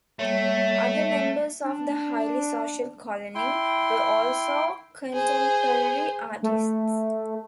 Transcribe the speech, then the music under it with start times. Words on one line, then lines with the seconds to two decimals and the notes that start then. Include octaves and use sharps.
Other members of the highly social colony were also contemporary artists.
0.19 G3 A3 A#3 C#5
1.64 D4
3.35 E4 G5 C6
5.13 G#4 C5
6.43 A3